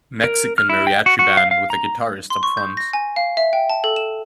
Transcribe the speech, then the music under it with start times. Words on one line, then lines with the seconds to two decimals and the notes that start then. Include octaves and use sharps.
Mexican mariachi band with the guitarist up front.
0.24 A#4
0.58 F6
0.69 E4
0.87 G5
1.06 F#4
1.19 F#4
1.37 F5
1.51 F5
1.70 A#5
2.30 C6
2.43 C#6
2.57 G6
2.77 A#6
2.93 G#5
3.16 F5
3.37 E5
3.53 G5
3.70 A5
3.84 A4
3.96 E7